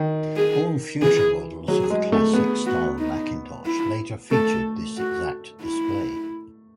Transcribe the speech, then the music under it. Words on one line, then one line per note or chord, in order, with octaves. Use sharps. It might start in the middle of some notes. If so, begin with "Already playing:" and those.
All future models of the Classic style Macintosh later featured this exact display.
Already playing: D#3
G#4
E3 G#4
F#3 G#4
G#3
A3
B3 G#4
F#4
D#4
E4
A3 A4
F#4
E4